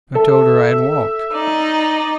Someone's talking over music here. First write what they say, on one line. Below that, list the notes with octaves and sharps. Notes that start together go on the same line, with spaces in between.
I told her I had walked.
A4 E5
D#4 D5